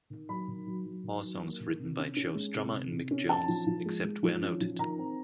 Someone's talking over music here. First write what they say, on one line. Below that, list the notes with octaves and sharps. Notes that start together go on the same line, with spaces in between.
All songs written by Joe Strummer and Mick Jones, except where noted.
D#3
F#3 B5
D#3
F#3
F#3
D#3
F#3
A#3
D#3
C3
C#4
C#4
G#3
C3
C3
C3
C#4
C#4 A5
F3
F3
G#3
G#3
F3
C#4
F3
D#3 A#5
C4